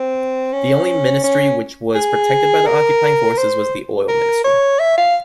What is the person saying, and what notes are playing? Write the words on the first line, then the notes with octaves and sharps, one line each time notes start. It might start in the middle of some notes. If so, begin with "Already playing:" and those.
The only ministry which was protected by the occupying forces was the oil ministry.
Already playing: C4
C#4
C#4
G#4
A#4
C5
A#4
C#5
E5
F5